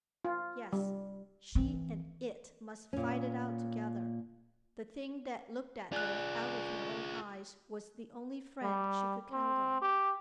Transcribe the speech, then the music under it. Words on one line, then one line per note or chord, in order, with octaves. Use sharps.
Yes, she and It must fight it out together. The thing that looked at her out of her own eyes was the only friend she could count on.
F4
G3
E3 C4
A#2 C#4
F4 G#4 D5 F#6
G3
C4
G4